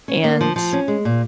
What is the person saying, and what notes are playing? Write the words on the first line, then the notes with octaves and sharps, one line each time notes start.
and s
C#4
A#3
F3
F3
C#4
G#3
A#2